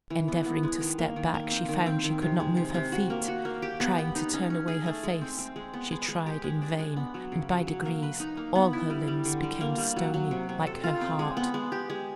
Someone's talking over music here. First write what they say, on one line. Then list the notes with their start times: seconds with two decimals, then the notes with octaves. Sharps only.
Endeavoring to step back, she found she could not move her feet; trying to turn away her face, she tried in vain; and by degrees all her limbs became stony like her heart.
0.10 E3
0.28 B3
0.45 B3
0.63 G#3
0.81 D#3
0.98 A#3
1.16 D#3
1.34 A#3
1.51 C4
1.69 D#3
1.86 C4
2.04 D#3
2.22 C3
2.40 G#3
2.57 C3
2.74 C3
2.92 F#4
3.10 A#3
3.28 F#4
3.45 A#3
3.62 G4
3.80 B3
3.98 B3
4.15 D#4
4.33 C#4
4.50 C#4
4.68 G#4
4.86 A3
5.03 G#3
5.21 C4
5.38 C4
5.56 G#3
5.73 B3
5.91 G#3
6.08 G#3
6.26 G4
6.44 G#3
6.62 D4
6.79 G#3
6.96 B3
7.14 F#3
7.32 C#3
7.49 F#3
7.67 F#3
7.85 A#3
8.03 B4
8.20 D#4
8.37 A#3
8.55 B3
8.73 E4
8.90 G3
9.07 G3
9.25 D3
9.43 G3
9.61 A#3
9.78 G3
9.96 F#3
10.14 F#3
10.31 C3
10.49 C3
10.67 A4
10.84 F4
11.01 C4
11.19 G#3
11.37 B3
11.54 G#3
11.72 G4
11.90 G#3